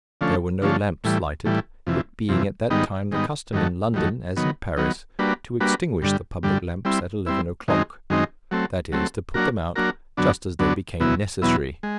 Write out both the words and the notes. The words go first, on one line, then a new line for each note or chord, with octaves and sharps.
There were no lamps lighted, it being at that time the custom in London, as in Paris, to extinguish the public lamps at eleven o'clock--that is, to put them out just as they became necessary.
D3 F3 A3 C#4
D3 F3 A3 C#4
A2 E3 G3
A2 E3 G3
F2 C3 E3
F2 C3 E3
G#2 D#3 G3 B3 D#4
G#2 D#3 G3 B3 D#4
G2 D#3 F#3 A3
G2 D#3 F#3 A3
D#3 F#3 B3
D#3 F#3 B3
G3 A#3 D4 F#4 B4
G3 A#3 D4 F#4 B4
G2 D3 G3
G2 D3 G3
G3 C4 E4
G3 C4 E4
F#2 D#3 G#3 C4 D#4
F#2 D#3 G#3 C4 D#4
F#3 A3 C4
F#3 A3 C4
F#3 A#3 D4 F#4 A#4
F#3 A#3 D4 F#4 A#4
F#2 D3 F#3 B3 D4
F#2 D3 F#3 B3 D4
E2 B2 F#3 B3 E4
E2 B2 F#3 B3 E4
G#3